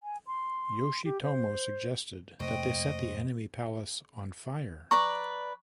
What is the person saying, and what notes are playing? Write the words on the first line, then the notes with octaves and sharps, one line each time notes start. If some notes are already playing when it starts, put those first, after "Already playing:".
Yoshitomo suggested that they set the enemy palace on fire.
G#5
C6
G4
C5
F2 C3 A3 A#3 C4 C5 D#5 C#6
B4 D5 A#5 C#6